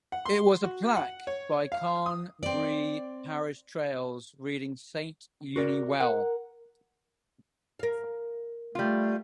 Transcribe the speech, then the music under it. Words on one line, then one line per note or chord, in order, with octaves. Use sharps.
It has a plaque by Carn Brea Parish Trails reading Saint Euny Well.
F#5
C6
F#4
F#5
C#5
F5
D#6
C4 D5
F#4 A#4 D5
A#4 F#5
A#4 F5
G3 A3 F4